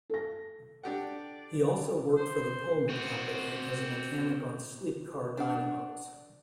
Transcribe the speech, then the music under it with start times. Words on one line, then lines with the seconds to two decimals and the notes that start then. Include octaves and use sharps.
He also worked for the Pullman Company as a mechanic on sleep car dynamos.
0.10 A4 A#6
0.83 D4 G4 D5 F#5
2.17 C5
2.89 C4 F#4
5.37 D4 F#5